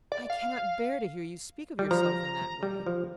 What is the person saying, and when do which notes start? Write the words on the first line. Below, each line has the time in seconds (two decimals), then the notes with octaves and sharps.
"I cannot bear to hear you speak of yourself in that way."
0.12 D5
0.30 F5
1.79 G3
1.91 F3 A#5
2.63 G3
2.86 F3